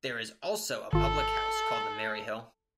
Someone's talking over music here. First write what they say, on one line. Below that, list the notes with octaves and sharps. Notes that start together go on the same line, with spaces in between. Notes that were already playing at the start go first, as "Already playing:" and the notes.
There is also a Public house called the Merry Hill.
G#1 F4 A4